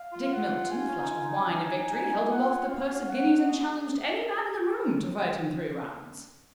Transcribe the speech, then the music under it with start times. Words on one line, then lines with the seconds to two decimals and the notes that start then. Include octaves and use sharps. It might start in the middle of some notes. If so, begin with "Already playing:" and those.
Dick Milton, flushed with wine and victory, held aloft the purse of guineas, and challenged any man in the room to fight him three rounds.
Already playing: F5
0.12 F4
0.32 F#5
0.71 G#5
0.88 C#4
0.99 D#4
1.10 F4
1.24 D#4
1.37 C#4
1.50 D#4
1.90 G#5
2.30 F4 F#5
2.68 F#4 F5
2.78 G#4
2.86 F#4
3.09 F#5
3.48 G#4